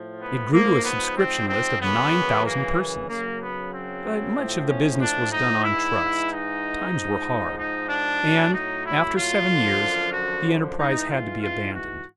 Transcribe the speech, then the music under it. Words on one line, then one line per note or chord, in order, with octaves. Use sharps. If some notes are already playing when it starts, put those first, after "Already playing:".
It grew to a subscription list of nine thousand persons; but much of the business was done on trust, times were hard, and, after seven years, the enterprise had to be abandoned.
Already playing: A2 F3
B3
G#2 F3 A#3
B3
C4
C4
F#2 C#3 E3 B3
A#3
F#2 C#3 F#3 A#3
B3
C4
A2 F3
C#4
D4
D#4
G#2 E3 E4
D#4
G#2 F3
D#4
D4
A2 F#3
D#4
E4
F4
F#2 D3 F3
F#4
G#2 E3 D#4
F4
F4
F#4